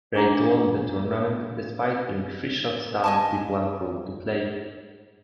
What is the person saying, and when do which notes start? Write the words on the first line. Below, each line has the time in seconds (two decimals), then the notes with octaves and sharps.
Reid won the tournament despite being three shots down with one hole to play.
0.15 D4 G#4 F#5 A#5 D6
3.04 D#5 G#5 A5